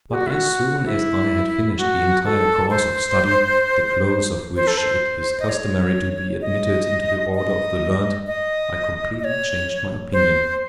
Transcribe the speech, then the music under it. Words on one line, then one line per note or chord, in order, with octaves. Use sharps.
But as soon as I had finished the entire course of study, at the close of which it is customary to be admitted into the order of the learned, I completely changed my opinion.
G#4
F#4
E4
F#4
E4
F#4
A4
C5
C5
A4
C5
D#5
C#5
D#5
D#5
D#5
D#5
C#5
C5